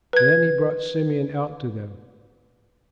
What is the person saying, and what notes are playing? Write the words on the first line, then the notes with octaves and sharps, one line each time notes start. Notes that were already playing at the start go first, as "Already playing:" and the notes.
Then he brought Simeon out to them.
B4 G#6